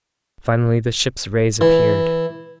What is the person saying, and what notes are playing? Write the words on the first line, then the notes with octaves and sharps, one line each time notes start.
Finally the ship's rays appeared.
E3